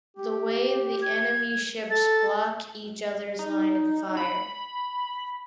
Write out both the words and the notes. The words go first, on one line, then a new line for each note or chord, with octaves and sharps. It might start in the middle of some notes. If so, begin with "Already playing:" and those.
This way the enemy ships block each other's line of fire.
G4
G#6
A4 A6
D#4
B5